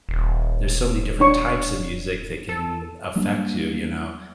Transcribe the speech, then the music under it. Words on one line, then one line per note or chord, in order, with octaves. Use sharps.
There's so many different types of music that can affect you, you know.
D#1
D4 C#5 C#6
A4
F#3 G3 A#3 D4